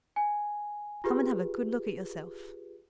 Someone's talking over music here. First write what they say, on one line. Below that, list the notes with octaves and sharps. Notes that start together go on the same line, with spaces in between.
"Come and have a good look at yourself."
G#5
F4 G4 G#4 B4